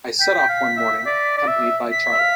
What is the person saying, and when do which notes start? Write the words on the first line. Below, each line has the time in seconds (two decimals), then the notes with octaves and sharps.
I set off one morning, accompanied by Charley.
0.20 G5 B6
0.38 G5
0.49 F5
0.77 E5
1.06 D5
1.38 D5
1.48 E5
1.91 B6
2.11 E5
2.20 F5